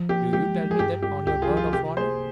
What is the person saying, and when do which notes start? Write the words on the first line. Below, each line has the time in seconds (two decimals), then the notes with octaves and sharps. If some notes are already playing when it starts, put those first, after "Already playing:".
"Do you tell me that on your word of honor?"
Already playing: F3
0.09 A#3 G4
0.33 G#3 G4
0.56 G#3
0.71 G#4
0.79 G2 G4
1.03 G3 G4
1.26 C#2 G4
1.42 F4 G#4
1.49 F3
1.57 F4
1.73 C3 G4
1.97 A#3 G#4 C5